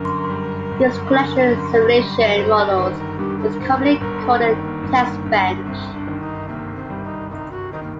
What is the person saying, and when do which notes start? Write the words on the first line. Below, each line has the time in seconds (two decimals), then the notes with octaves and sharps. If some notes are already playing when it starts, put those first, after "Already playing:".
This collection of simulation models is commonly called a "testbench".
Already playing: G1 F#2 D3 A#4
0.29 G3
0.71 G1
1.12 D3
1.54 F#2
1.95 G3
2.36 G1 C5
2.57 D5
2.78 D#3 C5
2.98 A#4
3.19 G2 G4
3.39 A4
3.52 A#4
3.60 G1 C5
3.81 A#4
4.01 G1 A#4
4.22 A4
4.42 D#3 C4
4.63 A#3
4.83 G2
5.26 G1
5.66 C2 C4
5.94 D4
6.07 D#3
6.21 D#4
6.48 C3 A#3
6.76 C4
6.90 G3
7.04 D#4
7.31 C2 D#4
7.51 F#4
7.73 D#3 D#4
7.83 A#3